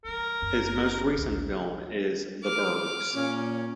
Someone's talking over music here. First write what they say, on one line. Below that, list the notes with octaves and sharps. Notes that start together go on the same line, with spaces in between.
His most recent film is "The 'burbs".
E3 G3 A#4
F#1 F#2
A1 D2
D6 F6
A#2 C#4